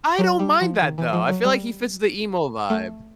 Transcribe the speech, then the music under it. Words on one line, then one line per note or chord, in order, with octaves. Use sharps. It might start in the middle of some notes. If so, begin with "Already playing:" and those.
I don't mind that, though. I feel like he fits the emo vibe.
F#3
G3
F3
D#3
E3
F3
F#3
G3
A3